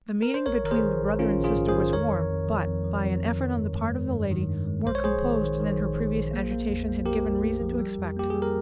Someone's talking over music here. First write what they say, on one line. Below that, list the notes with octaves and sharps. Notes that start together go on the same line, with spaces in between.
The meeting between the brother and sister was warm, but, by an effort on the part of the lady, more composed than her previous agitation had given reason to expect.
A#4
C5
A#1 A#4 C#5
D#3 A#4
G#4 C5
D#3
A#1
D#3 C#4 F4
A#1
F4 G#4
G#2
G#4 C5
D#3
F2 A#4 C#5
F2
F2
F3
F2
F3
F2
F2
D#3
G2
G#3
G#3
G2
D#3
G2
G#3
A#1 C5
C#5
A#1 G#4 C5
D#3
D#3
D#3
A#1
D#3
A#1
A#3
A#3
F2
A#3
A#3 G4 A#4
F2
A#3
F3
G3
F2
A#3 G4
G3 G#4
A#4